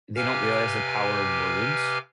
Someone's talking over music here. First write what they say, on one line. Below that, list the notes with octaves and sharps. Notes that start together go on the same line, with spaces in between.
they don't realize the power of words,
C3 G4 B4 F5 G#5 F6